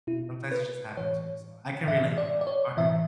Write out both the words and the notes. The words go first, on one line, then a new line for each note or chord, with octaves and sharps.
sometimes you, just, happen to so, I can relate on that part
B2 E4
B4
A2 E3 C#5
A2 E3 E5
D5
D5
C#5
A2 E3 E5